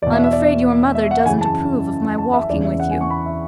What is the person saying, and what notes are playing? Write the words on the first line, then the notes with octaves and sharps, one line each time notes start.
"I'm afraid your mother doesn't approve of my walking with you."
E2 B2 D5
E5
E5
D5
E5
F#5
F#2 C#3 E3 G#5
A5
A5
E5
E2 C#3 E3 D5
E5
F#5
G#5
C#6
B5
E5